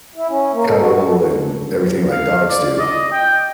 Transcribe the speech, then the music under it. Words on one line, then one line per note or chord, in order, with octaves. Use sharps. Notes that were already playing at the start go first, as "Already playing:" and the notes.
cuddle, and everything like dogs do.
E4
C#4
A#3
A4
F#4
G#3
A3
F5
D5
D#5
G5